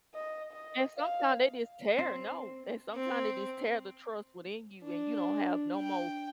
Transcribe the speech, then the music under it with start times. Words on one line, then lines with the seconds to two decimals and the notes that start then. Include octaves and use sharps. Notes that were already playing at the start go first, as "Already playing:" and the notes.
And sometimes they just tear no, and sometimes they just tear the trust within you, and you don't have no more
0.14 D#5
0.52 D#5
0.97 F5
1.98 C4
2.94 C4
4.84 D4
5.76 G5